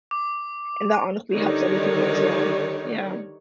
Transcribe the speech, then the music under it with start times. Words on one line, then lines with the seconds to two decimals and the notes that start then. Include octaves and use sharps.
And that honestly helps other people, as well. Yeah.
0.11 D6
1.31 D3 D#3 G3 D#4 C#5 D5